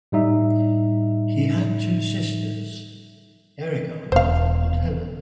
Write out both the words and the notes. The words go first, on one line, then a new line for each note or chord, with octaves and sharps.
He had two sisters: Erigone and Helen.
A2 G3 D#4 E5
E1 B3 C5 F5